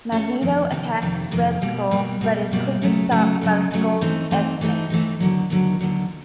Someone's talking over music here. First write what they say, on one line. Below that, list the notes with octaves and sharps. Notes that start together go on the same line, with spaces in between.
Magneto attacks Red Skull, but is quickly stopped by the Skull's S-Men.
A3 C#4 F4 A4 C#5
F2 C3 D#3
F2 C3 D#3
F2 C3 D#3
F2 C3 D#3
B2 G3 A#3
B2 G3 A#3
B2 G3 A#3
B2 G3 A#3
C#3 F#3 A3
C#3 F#3 A3
C#3 F#3 A3
C#3 F#3 A3
E3 A3 C4 D#4
E3 A3 C4 D#4
E3 A3 C4 D#4
E3 A3 C4 D#4
D#2 D3 F#3
D#2 D3 F#3
D#2 D3 F#3